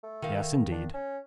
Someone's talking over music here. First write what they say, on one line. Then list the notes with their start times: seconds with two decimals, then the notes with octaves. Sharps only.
Yes, indeed!
0.04 A3
0.22 D#3 F5
0.72 D4
0.94 C#4